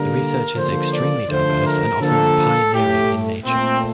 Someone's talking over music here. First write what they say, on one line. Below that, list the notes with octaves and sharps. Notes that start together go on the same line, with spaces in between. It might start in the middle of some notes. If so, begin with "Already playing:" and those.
The research is extremely diverse and often pioneering in nature.
Already playing: D3 G3 A#3 A#4
D3 F3 A#3 C5
D5
D3 F3 A3 C5
A#4
D3 F3 A#3 A4
A2 A3 G4
A#2 A3 C4